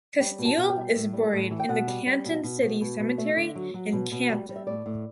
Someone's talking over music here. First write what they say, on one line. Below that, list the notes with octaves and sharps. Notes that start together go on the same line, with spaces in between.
Casteel is buried in the Canton City Cemetery in Canton.
G3 G5
B2
A5
B2
G5
G3
A2
G3
A2
E3
G5
B2 F#5
G3
G3
B2
B2
B2
B2
B2
A3 E5
D3
F#3
F#3
B2
B2
G3
G3
E5
A2 D5
A2